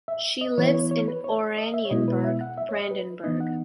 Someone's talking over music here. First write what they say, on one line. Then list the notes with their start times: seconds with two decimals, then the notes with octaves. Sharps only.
She lives in Oranienburg, Brandenburg.
0.08 E5
0.41 D#5
0.58 E3 B3 E4 C#5
0.67 B4
0.74 C#5
0.91 C#5
1.08 B4
1.24 C#5
1.57 D#5
1.74 E5
1.85 C#5
1.91 B2 G#3 B3 E4 D#5
2.08 B4
2.24 E5
2.41 F#5
2.58 E5
2.69 C#5
2.74 D#5
2.91 B4
3.24 E3 B3 D#4 D#5
3.40 F#5